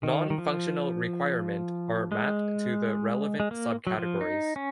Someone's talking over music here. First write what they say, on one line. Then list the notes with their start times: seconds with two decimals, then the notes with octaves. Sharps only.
Non-functional requirement are mapped to the relevant sub-categories.
0.03 D#3
0.30 D#3
0.38 F3
2.12 G#3
3.40 G#3
3.51 A#3
3.87 F#3
3.98 F3
4.21 D#4
4.56 C#4